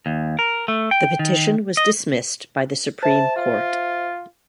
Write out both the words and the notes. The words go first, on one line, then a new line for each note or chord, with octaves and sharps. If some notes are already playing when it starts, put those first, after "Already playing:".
The petition was dismissed by the Supreme Court.
D#2
A#4
A3
G5
D#3
D#5
C5 E5 A5
F4